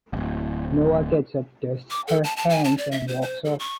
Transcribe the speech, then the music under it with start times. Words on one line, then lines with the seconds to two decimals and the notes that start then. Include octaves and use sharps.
Noa gets up, dusts her hands, and walks off.
0.13 D1 G1
1.90 D6
2.08 A4
2.24 A5
2.37 A5
2.49 G#5
2.64 A5
2.78 D5
2.92 E5
3.08 C5
3.22 C5
3.45 A4
3.59 C#6